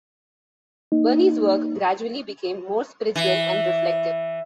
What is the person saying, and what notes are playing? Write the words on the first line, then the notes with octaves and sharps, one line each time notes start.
Berni's work gradually became more spiritual and reflective.
A#3 D#4
E3